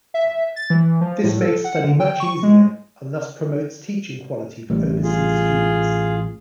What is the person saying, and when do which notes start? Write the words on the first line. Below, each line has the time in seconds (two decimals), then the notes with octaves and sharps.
This makes study much easier, and thus promotes teaching quality for overseas students.
0.14 E5
0.56 A6
0.70 E3
1.01 F3
1.23 A2
1.41 A4
1.64 F#5
1.84 D3
2.00 G5
2.20 C#6
2.43 G#3
4.70 A1 A2 G3
5.03 F4 G#4